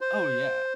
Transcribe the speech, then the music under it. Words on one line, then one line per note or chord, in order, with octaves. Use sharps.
Oh, yeah.
C5